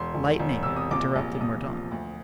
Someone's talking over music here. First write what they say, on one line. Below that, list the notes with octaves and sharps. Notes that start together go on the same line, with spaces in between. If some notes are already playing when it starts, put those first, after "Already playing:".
"Lightning," interrupted Mordaunt.
Already playing: E1 C6
E1
E1
C3 E6
D#6
A#1 D6
A#1
A#1 D#6
F3
D2